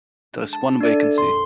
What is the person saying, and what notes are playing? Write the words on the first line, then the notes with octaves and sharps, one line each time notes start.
There is one vacancy.
G#3 D4
A5
D4 A4 B4 D5 E5
A#1 F2 C6